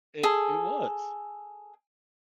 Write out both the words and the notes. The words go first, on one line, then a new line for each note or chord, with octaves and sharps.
it it was.
G#4 A4